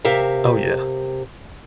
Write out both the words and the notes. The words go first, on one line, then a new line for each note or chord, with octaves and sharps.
Oh, yeah.
C3 G4 A#4 E5 F5